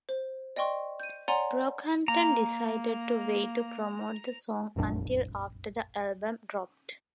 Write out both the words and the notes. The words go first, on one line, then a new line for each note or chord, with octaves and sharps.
Brockhampton decided to wait to promote the song until after the album dropped.
C5
D5 D#5 G5 C6 C#6
G6 D#7
C#5 D5 F#5 G#5 A#5 C6
A#3 A#5
F1 A#1 F#2 D4